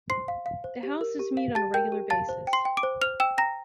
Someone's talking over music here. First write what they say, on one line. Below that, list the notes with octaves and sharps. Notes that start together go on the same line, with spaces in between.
The houses meet on a regular basis.
C5 C6 C7
F5
F5
C5
G4
A#4
G4
F5
G4 A5 A6
A#4 G5 G6
G4
F5 A5 A6
C5
G5
C6 C7
G5
D6 D7
C5
C5 F6 F7
G5 E6 E7
G5 A#5 A#6